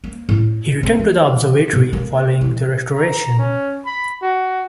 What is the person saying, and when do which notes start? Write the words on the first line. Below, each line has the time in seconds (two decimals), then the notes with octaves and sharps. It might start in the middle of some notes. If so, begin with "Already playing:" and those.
It was returned to the observatory following the restoration.
0.04 A#3
0.29 A2
0.83 C4
0.99 E3
1.73 B2
1.93 A#3
2.41 E3
2.95 A#5
3.38 C#4
3.86 B5
4.22 F#4